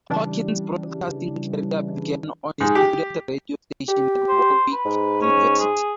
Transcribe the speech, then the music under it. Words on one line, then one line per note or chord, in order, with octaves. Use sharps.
Hawkins' broadcasting career began on a student radio station at Warwick University.
C#3 E3 G3 D4
G#2
G4
G4
C5
B4
G#2
C#4
G#4